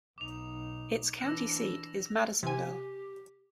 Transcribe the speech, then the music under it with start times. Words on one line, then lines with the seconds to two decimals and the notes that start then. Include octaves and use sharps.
Its county seat is Madisonville.
0.18 B1 D#4 D6 F7
1.21 E3 D4 E6 A#6 E7
2.43 C3 G4 G#5